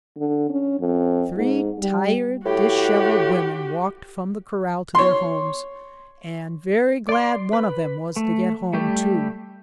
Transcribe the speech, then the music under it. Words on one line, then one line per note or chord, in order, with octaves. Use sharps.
Three tired, disheveled women walked from the corral to their homes; and very glad one of them was to get home, too!
D3
C#4
F2
G#2
G3
A2 F#4 G4
C#5 C6
D5 C6
B4
A3
G3 A3 G4